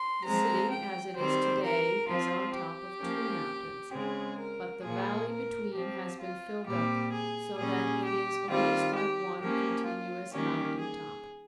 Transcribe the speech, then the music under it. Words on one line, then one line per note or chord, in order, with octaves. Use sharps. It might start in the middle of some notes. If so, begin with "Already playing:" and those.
The city as it is today is on top of two mountains, but the valley between has been filled up so that it is almost like one continuous mountain top.
Already playing: C6
F3 G#3 C4 A#5
G5
D#3 G3 C4 C5
A#4
F3 C4 F4
G4
F3 A#3 C#4
C#3 G#3 C4 G#4
A#4
A#2 F3 A#3 G#4
A#4
F3 C4 G4
F4
A#2 G3 C4 G4
G#4
A#2 G3 C#4 G#4
G4
D#3 G3 C4 F4
G4
F3 A#3 C#4 G4
F4
D#3 G3 A#3 C#4 G4
G#4